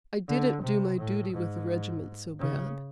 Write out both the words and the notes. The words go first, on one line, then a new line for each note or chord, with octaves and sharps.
I didn't do my duty with the regiment so bad.
D3
C3
A2
G#2
C#3